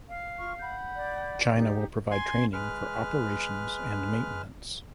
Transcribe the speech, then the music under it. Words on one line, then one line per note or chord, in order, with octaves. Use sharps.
China will provide training for operations and maintenance.
F5
F4 C#6 F6
F#5 B5 G6
D5
D#4 G4
G#5 C6
G#3 B4 F6